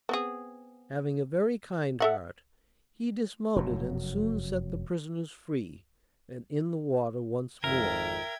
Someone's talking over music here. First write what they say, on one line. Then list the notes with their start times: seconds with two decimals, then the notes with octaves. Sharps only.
Having a very kind heart he dismounted and soon set the prisoners free, and in the water once more.
0.09 B3 C4 G#4
2.00 A4 E5 F#5
3.56 F1 F#2 F#3
7.64 G#1 F2 A#4 E5 G5 G#6